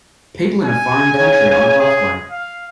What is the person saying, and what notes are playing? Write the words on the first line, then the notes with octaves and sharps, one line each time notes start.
People in a foreign country on a pathway.
G#5
C#3
G#4
F5